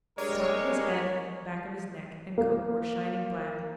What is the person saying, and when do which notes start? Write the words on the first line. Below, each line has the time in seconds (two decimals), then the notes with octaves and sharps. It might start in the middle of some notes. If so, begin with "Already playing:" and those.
The top of his head, back of his neck and coat were shining black.
0.18 G2 G3 G#3 A#4 C#5 D5
2.38 A#3